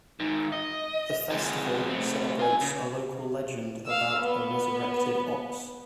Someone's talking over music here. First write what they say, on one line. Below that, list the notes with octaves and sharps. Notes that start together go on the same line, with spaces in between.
The festival celebrates a local legend about a resurrected ox.
G#2 D#3
D#5
F2 G#3
A3 C4
F4 G#5
C#3
F5 E6
B3